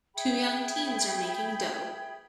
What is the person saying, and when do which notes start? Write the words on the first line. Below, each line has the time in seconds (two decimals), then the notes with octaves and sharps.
Two young teens are making dough.
0.15 G#4 E5 G5 B5